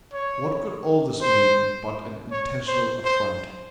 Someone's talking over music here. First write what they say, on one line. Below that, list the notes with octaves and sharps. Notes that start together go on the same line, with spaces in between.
What could all this mean but an intentional affront?
C#5
C5
C#5
C5
C5